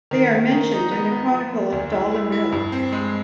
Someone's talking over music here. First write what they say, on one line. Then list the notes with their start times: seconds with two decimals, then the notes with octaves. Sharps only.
They are mentioned in the "Chronicle of Dalimil".
0.11 D#3
0.31 D#3
0.51 D#3
0.72 D#4
0.92 B3
1.12 B3
1.32 F3
1.52 A#3
1.72 D2
1.92 E4
2.12 E4
2.32 E4
2.52 G2
2.72 C4
2.92 G#3